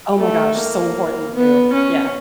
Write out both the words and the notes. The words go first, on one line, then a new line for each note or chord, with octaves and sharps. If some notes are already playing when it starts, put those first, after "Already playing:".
Oh my gosh, so important too, yeah.
A3
A#3
B3
C#4